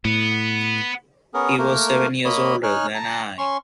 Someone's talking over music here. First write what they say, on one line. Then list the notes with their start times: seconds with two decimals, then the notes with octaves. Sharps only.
He was seven years older than I.
0.05 A2 B3
1.34 B3 C#4 G#4 A#4
1.58 A3 A#3 A#4
2.25 A#3 C#5 D#5 B5
2.63 D#4 C#5 G#5 F6 F#6
2.95 A5 A#5
3.38 C#4 C6 C#6